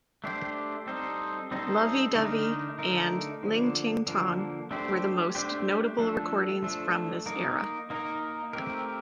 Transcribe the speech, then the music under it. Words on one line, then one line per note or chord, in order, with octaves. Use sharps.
"Lovey Dovey" and "Ling-Ting-Tong" were the most notable recordings from this era.
A3 D4 G4 C5
G3 C4 D#4 A4 C5
G3 C4 D#4 A4 C5
D3 A3 D#4 A#4
D3 A3 D#4 A#4
D3 F3 A#3
D3 F3 A#3
A3 D4 G4 C5
A3 D4 G4 C5
F3 A3 D4 A4
F3 A3 D4 A4
A#3 D#4 A#4
A#3 D#4 A#4
A3 C4 G4 A#4